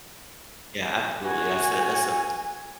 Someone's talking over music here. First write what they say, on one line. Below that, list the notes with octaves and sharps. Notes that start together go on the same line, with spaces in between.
Yeah, absolutely that's a that's a
F#4 G#5